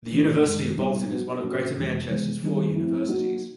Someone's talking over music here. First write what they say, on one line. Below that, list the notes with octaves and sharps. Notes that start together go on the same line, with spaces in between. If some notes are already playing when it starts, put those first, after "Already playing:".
The University of Bolton is one of Greater Manchester's four universities.
A2 E3 A3
F#2 D#3 G#3
A#2 G3 B3 D#4
F#3 B3 D#4 F#4
A2 F#3 A#3 C#4 F#4
F2 C3 E3 G#3
C3 E3 G#3 B3
D#3 G3 B3 D#4 G#4
F3 A3 C4 E4
F#3 A#3 D#4 F#4